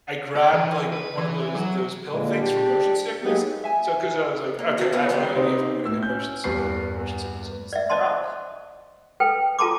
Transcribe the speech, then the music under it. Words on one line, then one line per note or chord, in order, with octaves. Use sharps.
I grabbed, like, one of those those pill things for motion sickness, so 'cause I was like, "Okay, I have no idea if I'm gonna get motion si oh, motion sickness on this thing, or not."
D5
E3
B4
E3
F#3
A#2 D3 G#3
D4 G4
F#3 G#3 A#3 D#4 G4 G#4
E5 G#5
A#3
F#4 A4
B3 C#4 E4 F#4 B4
D#3 G3 B3 G4 B4 C5
C3 C4 D#4 C5
A2 E6
C#4 G6
E2 G2 B4 C#6 C7
D5 E5
C5 D5 D#5 A5 C6
A4 B4 G5
F4 A4 A5 A#5 C6 D6